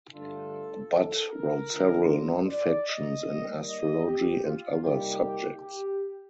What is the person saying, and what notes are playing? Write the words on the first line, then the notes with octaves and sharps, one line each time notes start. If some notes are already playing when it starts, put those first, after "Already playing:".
Butt wrote several non-fictions in astrology and other subjects.
G2 D3 A3 D4 F4 A4
A4
A#4
D3 A3 D4 F4
C5
D5
D#5
D#3 G3 A#3
D#5
G4
F4
C3 G3 A#3 D#4 G4
G4